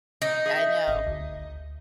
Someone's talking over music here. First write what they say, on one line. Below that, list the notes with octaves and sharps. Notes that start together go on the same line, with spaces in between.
I know.
D#4
G#4 D#5 E5
G#1 D#5
D2